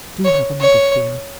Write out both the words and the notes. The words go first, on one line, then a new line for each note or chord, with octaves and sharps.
Do have a mug of beer.
C#5
C#5